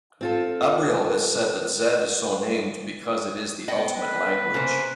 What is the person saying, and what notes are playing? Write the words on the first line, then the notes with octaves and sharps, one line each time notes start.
Abrial has said that Z is so named Because it is the ultimate language!
C4 F4 A4
B3 D#5 G5
B4
C#3 A#3 C5